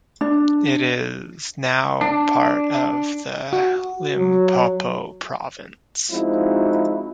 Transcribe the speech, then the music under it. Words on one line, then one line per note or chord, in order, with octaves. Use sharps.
It is now part of the Limpopo province.
D4
D4
F#4
F#3
F3 G#3 C4 D#4 E4 F#4